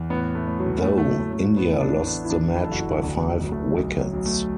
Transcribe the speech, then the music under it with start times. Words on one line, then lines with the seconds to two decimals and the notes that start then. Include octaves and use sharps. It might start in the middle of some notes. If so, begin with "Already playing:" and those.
Though, India lost the match by five wickets.
Already playing: E2
0.10 A2 B3
0.35 A3
0.47 A2
0.59 F#3
0.84 A2 A3
0.98 A3
1.08 F#3
1.20 A2
1.33 A3
1.57 A2 B3
1.73 E4
1.81 D4
1.94 A1
2.01 A3
2.06 B3
2.25 E4
2.30 E3 D4
2.55 E4
2.64 A4
2.67 F#1
2.72 F#4
2.79 E4
3.03 D2 D4
3.28 F#3
3.40 D2 F#3
3.52 A3
3.76 B1
4.01 F#3
4.13 B1
4.26 A3